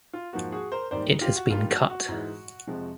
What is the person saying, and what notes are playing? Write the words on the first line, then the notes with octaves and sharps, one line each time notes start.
It has been cut.
F4
G#2 F3 A#3 F#4
F#4 G#4
A#4 C5
G#2 D#3 G3 A#3 C5 D5
F4 G4
F#4
G2 D#3 G3 A#3 F4
F#4
F#4
G#2 E3 G#3
F2 C3 F3 G#3